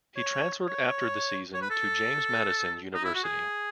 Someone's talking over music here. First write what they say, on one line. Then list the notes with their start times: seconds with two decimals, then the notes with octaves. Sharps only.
He transferred after the season to James Madison University.
0.16 C#5
0.67 C#5
1.54 C#5
1.62 B4
1.70 A4
2.95 D#4
3.04 E4
3.15 F#4
3.24 G#4